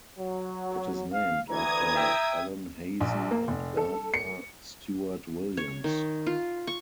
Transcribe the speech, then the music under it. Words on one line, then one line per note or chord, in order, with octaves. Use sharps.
It is named after Allen Hazen and Gardner Stewart Williams.
F#3
F5
D2 E3 A#5 D#6 G#6
E5 G5
A#1
A#3
F1
A4
C#7
C#5
D#3
F4
C#6